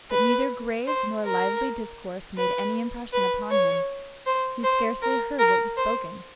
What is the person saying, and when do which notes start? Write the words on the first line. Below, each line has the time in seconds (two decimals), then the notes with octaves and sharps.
But neither grave nor lively discourse made any impression upon him; he scarcely heard what was spoken.
0.11 B4
0.87 C5
1.25 A#4
2.37 B4
3.13 B4
3.51 C#5
4.26 C5
4.63 C5
5.02 A#4
5.39 A#4
5.77 C5